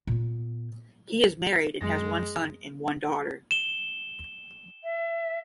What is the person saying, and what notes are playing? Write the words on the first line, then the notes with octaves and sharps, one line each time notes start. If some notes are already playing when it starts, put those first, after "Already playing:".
He is married and has one son and one daughter.
A#2 B3
F#2 G#3 A#6
E7 G7
E5